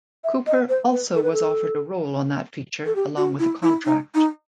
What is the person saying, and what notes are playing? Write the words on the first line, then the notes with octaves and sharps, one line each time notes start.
Cooper also was offered a role on that feature along with a contract.
E5
D#5
C5
B4
A4
B4
A4
A4
G4
F#4
E4
E4
D#4
D#4